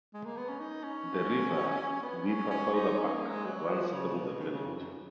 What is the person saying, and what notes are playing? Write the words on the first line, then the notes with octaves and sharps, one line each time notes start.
The river "Wipperfelder Bach" runs through the village.
G#3
A#3
B3
C#4
D#4
C#4
B3
C#4
C#4
D#4
C#4
A#3
G#3
F#3
F3
C#3
B2
D#3
C#3
F2
F#2